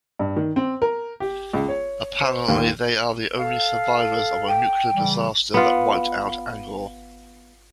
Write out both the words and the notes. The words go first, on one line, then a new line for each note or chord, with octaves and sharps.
Apparently they are the only survivors of a nuclear disaster that wiped out Angor.
G2
D#3
C4
A#4
G4
C#2
C#5
C5
D#2
A4 F5
G5
C#3 E3 G3
B3 F4